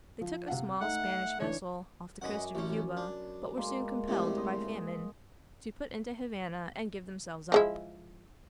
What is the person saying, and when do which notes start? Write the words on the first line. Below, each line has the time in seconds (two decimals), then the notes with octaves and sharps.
They took a small Spanish vessel off the coast of Cuba, but were soon compelled by famine to put into Havana and give themselves up.
0.21 F3
0.48 C3 F5 F#5
0.81 A3 D#4 E5 F#5
1.40 E3 D4 C#5
2.22 F#2 B4 D5 D#5 F#5 G#5
2.55 A1 C#4
2.97 D4
3.57 G#3 A#3 C6
4.08 A2 C3 G3
4.37 D#5 C6
7.52 F3 G#3 E4